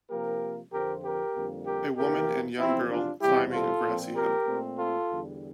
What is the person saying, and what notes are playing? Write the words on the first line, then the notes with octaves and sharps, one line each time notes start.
A woman and young girl climbing a grassy hill.
C3 F3 A#3 G4 A#4
F2 D3 F3 C4 G4 A#4
G4 A#4
F2 D3 G3 A#3
G4 A#4
E2 C3 E3 A#3 G4 A#4
E2 C3 F3 C4 E4
D4 F4
E2 C3 G3 E4 G4
F4 A4
A#2 F3 C4
G4 A#4
A#2 A3 C4
F4 A4
E2 D3 G3